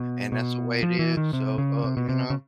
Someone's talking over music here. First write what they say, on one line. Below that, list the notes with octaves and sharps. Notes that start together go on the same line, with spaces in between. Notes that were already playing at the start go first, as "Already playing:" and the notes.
And that's the way it is, so, uh, you know
Already playing: B2
B2
F3
E3
D#3
C3
C#3
C3
B2
C3
C#3